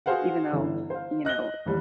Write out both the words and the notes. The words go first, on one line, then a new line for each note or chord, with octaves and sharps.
even though, you know,
F#4 G#4 B4 C5 F5 F#5
G1 D3 E3
C5 F5
D#5 F#6 A#6 G7
A1 D#2 G3